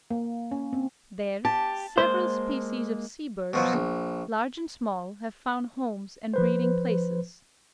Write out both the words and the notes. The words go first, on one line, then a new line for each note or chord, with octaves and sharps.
There several species of sea birds, large and small, have found homes and breeding places.
A#3
C#4
C4
G4 A5
G#3 A#3 C5
B2 F3 F#3
A#1
F3 B4 C5